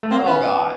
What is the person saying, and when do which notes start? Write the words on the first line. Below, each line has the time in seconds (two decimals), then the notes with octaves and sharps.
Oh god.
0.03 A3
0.11 A#3 C4
0.26 B3 C#4